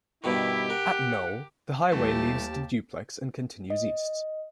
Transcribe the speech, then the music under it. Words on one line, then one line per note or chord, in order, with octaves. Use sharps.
At Noel, the highway leaves the duplex and continues east.
G2 B2 D#3 E4 G4
A#4 F#5
D#2 E3 G3 A3 G4 A5
D#5